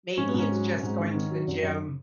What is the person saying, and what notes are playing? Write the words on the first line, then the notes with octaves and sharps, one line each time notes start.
Maybe it's just going to the gym
G#2 C#4
B3
G#2 C#4
F#3
F#3
G#2
D#3
D#3
F#3
F#2
F#2